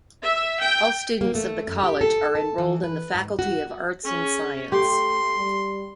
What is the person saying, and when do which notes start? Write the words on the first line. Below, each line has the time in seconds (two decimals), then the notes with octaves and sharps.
All students of the College are enrolled in the Faculty of Arts and Science.
0.23 E5
0.61 G5
1.21 A#3
1.35 A3
1.67 F#2
1.84 G4
2.01 A4
2.35 A5
2.58 E3
2.83 B4
3.14 G#2
3.39 F#4
4.05 C#4 G#4
4.72 A3 G4 C6
5.37 G3